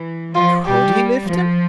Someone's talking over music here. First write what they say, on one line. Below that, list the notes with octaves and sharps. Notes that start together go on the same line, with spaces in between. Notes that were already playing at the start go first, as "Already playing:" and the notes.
Could he lift him?
Already playing: E3
F3 F4
G3 G4
F3